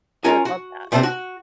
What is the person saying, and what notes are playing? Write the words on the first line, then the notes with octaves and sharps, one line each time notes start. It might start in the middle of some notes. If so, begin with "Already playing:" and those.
I would love that.
C#4 F4 A#4 G#5
F#4
C3 G3 A3 A#3 C4 D4
F#4